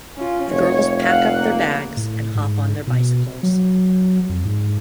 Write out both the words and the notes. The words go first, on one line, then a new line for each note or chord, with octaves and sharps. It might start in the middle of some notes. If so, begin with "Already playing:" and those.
The girls pack up their bags and hop on their bicycles.
C#4 F4
F1 C#5
F5 F#5
A#3
A2
G#2
B2
F#3
F2
G#2